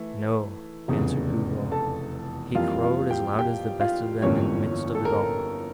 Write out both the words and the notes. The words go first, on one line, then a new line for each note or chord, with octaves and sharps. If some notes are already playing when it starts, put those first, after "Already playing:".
'No,' answered Ugo, 'he crowed as loud as the best of them in the midst of it all.
Already playing: E3 A3
F1 E2 C#3
A4 A5
F2 E3 G3 A#3 F4 F5
F4 F5
G4 G5
G4 G5
F4 F5
G1 F2 E3 A#3 C#4 C#5
A4
A#4